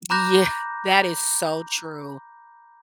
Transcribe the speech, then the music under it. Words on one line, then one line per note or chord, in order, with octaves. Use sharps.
Yeah, that is so true,
A#5 B5 D6 F#6 G6 A#6